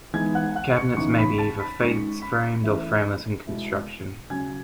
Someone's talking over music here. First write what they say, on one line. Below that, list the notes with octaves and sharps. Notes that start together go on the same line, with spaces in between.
Cabinets may be either face-frame or frameless in construction.
E3 G#3 B3 D#4 G#5 G#6
F#5 F#6
F#5 F#6
C#6 C#7
C#3 E3 B3 D#4 C#6 C#7
B5 B6
A5 A6
B5 B6
D#3 G#3 C#4 C#6 C#7
B5 B6
E3 A3 C#4 E4
B2 G#3 B3 E4
C#3 F#3 C#4 G#5 G#6